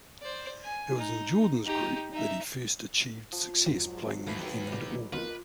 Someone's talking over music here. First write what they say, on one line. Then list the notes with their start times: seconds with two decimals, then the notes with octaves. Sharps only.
It was in Jordan's group that he first achieved success playing the Hammond organ.
0.22 C5 D5
0.63 G#5
0.96 D#4
1.65 D#4 G4
2.12 D#4 E5
3.32 F3
3.66 F2 G#2 F#3 A#3 C4
4.27 D#2 A3 B4 B5
4.72 C2 A#2 D6
5.13 D#2 D#3 B3 D#4 F4 A#4 B4 D#5